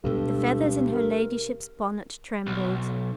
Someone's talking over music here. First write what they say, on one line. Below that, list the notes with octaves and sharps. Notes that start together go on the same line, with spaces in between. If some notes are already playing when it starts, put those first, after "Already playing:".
The feathers in her ladyship's bonnet trembled.
D2 G2 B2 G#3 A4
A#4
B1